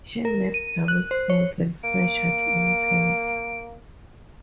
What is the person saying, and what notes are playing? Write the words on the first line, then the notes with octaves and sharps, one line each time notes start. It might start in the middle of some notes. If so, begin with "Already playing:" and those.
Here map doubles angles measured in turns.
A#4
D#7
F#6
C5
C#5
A#3 D7